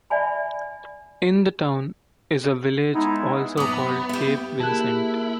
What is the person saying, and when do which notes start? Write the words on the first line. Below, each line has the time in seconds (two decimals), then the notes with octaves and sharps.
In the town is a village also called Cape Vincent.
0.10 D5 E5 G#5 B5
2.94 G#3 B3 D#4 E4
3.57 F#2 B3 A#5 D6 D#6
4.09 G4 E5
4.60 A#3 E4 G#4 A#4 A5 F#6